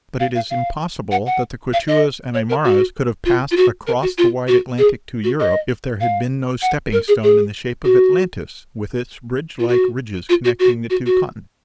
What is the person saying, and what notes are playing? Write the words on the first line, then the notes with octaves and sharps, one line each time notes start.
But it is impossible that the Quichuas and Aimaras could have passed across the wide Atlantic to Europe if there had been no stepping-stone in the shape of Atlantis with its bridge-like ridges connecting the two continents.
F5
F5
F5
F#5
F#5
F5
D#5
C#5
A#4
F#4
F4
F4
F#4
A#4
F#4
F4
F#4
G#4
F#4
D#5
F5
F#5
A#4
G#4
G#4
F#4
F4
F#4
F4
F#4
F#4
F#4
F#4